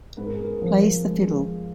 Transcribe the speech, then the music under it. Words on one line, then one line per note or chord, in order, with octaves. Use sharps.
Plays the fiddle.
G#2 B4
A#4
G#4
A#4
F3
G#3